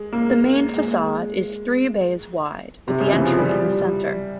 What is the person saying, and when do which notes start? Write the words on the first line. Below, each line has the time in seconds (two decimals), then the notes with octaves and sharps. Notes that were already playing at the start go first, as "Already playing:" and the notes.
The main facade is three bays wide with the entry in the center.
Already playing: G#3
0.13 A#3
0.77 G#3
2.88 C3
3.00 C#3
3.13 E3
3.25 F3
3.38 G3